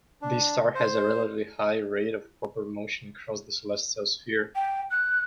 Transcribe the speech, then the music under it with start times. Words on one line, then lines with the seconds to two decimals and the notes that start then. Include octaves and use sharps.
This star has a relatively high rate of proper motion across the celestial sphere.
0.22 D4
0.75 C5
4.55 G5
4.91 F#6